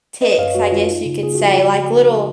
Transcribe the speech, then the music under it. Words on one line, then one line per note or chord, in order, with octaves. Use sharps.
ticks, I guess you could say, like, little
C#4 B4 D#5
F#2 C#5 F5
G#3 F#4
D#3 F4
D#4
C#3
A#3 G#4
F3 F#4
F4
C#3 F#4
C#3
D#4
G#3